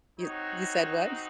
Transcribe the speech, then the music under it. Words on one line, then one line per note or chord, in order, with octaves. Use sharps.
You you said what?
C4 D#4 F#4 C#5